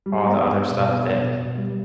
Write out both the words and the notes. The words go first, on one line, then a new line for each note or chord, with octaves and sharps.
all the other stuff that
G3
B3
B3
B2
B3
B2
B2
G3